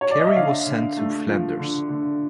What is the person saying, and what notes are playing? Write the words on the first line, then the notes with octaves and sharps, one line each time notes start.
Cary was sent to Flanders.
C#5
D5
D#5
E5
D3 F5
D3
A3
F3
D3
D3